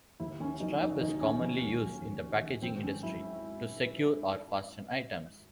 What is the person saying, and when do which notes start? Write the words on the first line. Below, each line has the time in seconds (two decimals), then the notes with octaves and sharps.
Strap is commonly used in the packaging industry to secure or fasten items.
0.20 D#2 E4
0.40 D#3 C#4
0.60 F#3 D#4
0.81 D#2 D#4
1.01 D#2 D#4
1.21 D#3 C#4
1.41 D#2
1.62 D#3
1.82 F#3
2.01 D#2
2.22 D#2
2.42 D#3
2.62 G#1 C4
2.83 G#2 C#4
3.03 F#3 E4